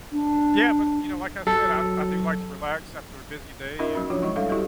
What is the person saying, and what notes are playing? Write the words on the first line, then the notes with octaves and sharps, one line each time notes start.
Yeah, but you know, like I said, I I do like to relax after a busy day, and
D4
F#3 A4
C#4 D#4 F4 A#4 D#5 E5
F#3 C#4 F#4
F3 D4 F4 F#4 C#5
G#3 E4 D#5 C#6
G3 D4 A4 E5 F5
E4 F#4 G4 A4 D#5